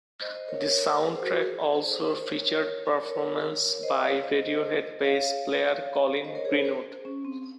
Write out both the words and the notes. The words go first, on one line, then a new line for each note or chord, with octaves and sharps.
The soundtrack also featured performances by Radiohead bass player Colin Greenwood.
C5 D#5
C5 D#5
A#4 C#5
A#4 C#5
A#4
G#4 C5
C5
F#4 A#4
G#4 C5
C5
A#4 C#5
A#4 C#5
C5 D#5
C#5 F5
C5 D#5
C#5 F5
C5 D#5
A#4 C#5
G#4 C5
A#4 C#5
G#4 C5
C#4
C4